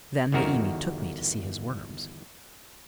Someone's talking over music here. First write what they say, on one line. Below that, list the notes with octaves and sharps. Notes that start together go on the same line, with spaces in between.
Then Niimi took me to see his worms.
G1 E2 D#3 F#4 A#4